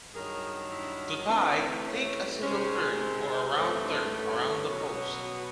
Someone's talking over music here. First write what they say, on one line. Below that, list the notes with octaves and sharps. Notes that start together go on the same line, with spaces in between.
To tie, take a single turn or a round turn around the post.
G2 D#3 F#3 G#4 A#4
D4 E4
C3 E3 A3 C4 D4
C#4
C3 D#3 G#3 C4 C#4
C4
G2 E3 A3 C4 C#4
C4 D4
C#4
B2 F#3 B3